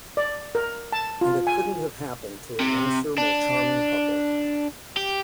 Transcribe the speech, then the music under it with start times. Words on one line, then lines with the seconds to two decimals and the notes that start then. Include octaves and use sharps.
And it couldn't have happened to a nicer, more charming couple.
0.17 D5
0.55 A#4
0.93 A5
1.21 F4
1.47 G#5
2.60 C3
3.18 D4
4.97 G4